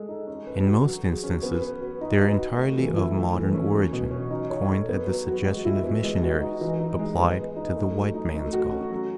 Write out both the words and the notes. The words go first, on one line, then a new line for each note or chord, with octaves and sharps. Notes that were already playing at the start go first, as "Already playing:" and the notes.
In most instances they are entirely of modern origin, coined at the suggestion of missionaries, applied to the white man's God.
Already playing: G#3 A4
D#4
C#4
B4
F#4
F#3
G#4
C#4
B3
B4
F#4
D#4
B4
F#4
A3
E3
E4
A3
E3
C#4
F#3
B2
C#4
D#4
C#5
A4
B3
F#3
F#4
G#3
E4
B3
G#3
F#4
D#4
E3
D#4
G#3
B3
G#3
D#4
A3
F#3
D#4
A3
F#4
C#4
F#3